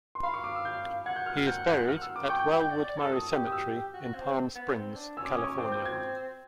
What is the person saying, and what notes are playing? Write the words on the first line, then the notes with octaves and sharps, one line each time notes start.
He is buried at Welwood Murray Cemetery in Palm Springs, California.
C6
F5 B5
C#6
D6
E6
G6
F#5 G#6
G6
F6
F6
G6
G6
F6
E6
D6
G5 C#6
G5
G5
G5
D5
D5
A4 E6
D#6
G4
D#6
E6
F#4
C4
B3
C4
D4
C#4 E6
D6
D#6
C#4
C#6
C#4
C4 D6
G6
G#6